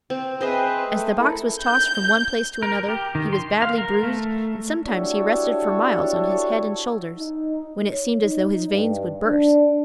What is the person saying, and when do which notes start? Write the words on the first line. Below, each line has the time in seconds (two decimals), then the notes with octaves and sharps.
As the box was tossed from one place to another, he was badly bruised, and sometimes he rested for miles on his head and shoulders, when it seemed as though his veins would burst.
0.10 C4
0.41 C4 G#4 B4 C5 D#5 E5
0.88 A3
1.17 E4 A4 A#4
1.61 G6
2.63 A#4
2.89 G4
3.15 D#3
3.33 C6
3.62 F5
3.78 A#4
4.03 A3
4.86 D4 E4 F#4 G4 A4 C#5
7.18 D#4
7.91 C#5
8.22 D#4
8.70 G2
9.26 D4